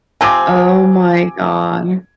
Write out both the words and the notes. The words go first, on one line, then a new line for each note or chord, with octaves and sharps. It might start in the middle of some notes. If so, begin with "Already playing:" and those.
Oh my god.
C3 F3 C4 G#5 D6